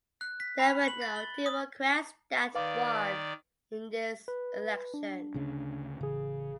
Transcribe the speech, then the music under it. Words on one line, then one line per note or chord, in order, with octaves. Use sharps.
There were no Democrats that won in this election.
F#6
B6
B5
F#7
A6
G7
D#6
D#3 B4 D5 F5 D6
B4
D4
D2 C#3 C#4
A1 C#3 G#4